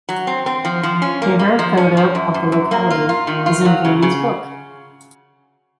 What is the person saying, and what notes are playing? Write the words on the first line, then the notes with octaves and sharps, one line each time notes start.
A rare photo of the locality is in Blaineys book.
F#3
C4
C4
F3
F3
C#4
A#3
A#3
F3
C#4
F3
F#2
F#2
F#2
A#3
F4
F4
D#3
F4
F#3
C#3
C#3